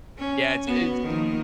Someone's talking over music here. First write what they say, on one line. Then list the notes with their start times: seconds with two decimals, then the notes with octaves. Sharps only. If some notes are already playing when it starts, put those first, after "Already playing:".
Yeah, it's it's
0.18 C#4
0.67 B3 F#4
1.03 D#3 F3 A#3